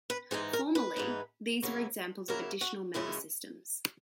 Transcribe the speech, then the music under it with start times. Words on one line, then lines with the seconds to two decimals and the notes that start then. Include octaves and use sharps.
Formally, these were examples of additional member systems.
0.10 B4
0.31 G#2 E3 G#3 D#4 G#4
0.53 A#4
0.75 B4
0.96 G#2 E3 G#3 D#4
1.62 C#3 F#3 A#3 E4
2.28 C#3 F#3 A#3 E4 A#4
2.61 F#4
2.94 F#2 C#3 G#3 C#4 E4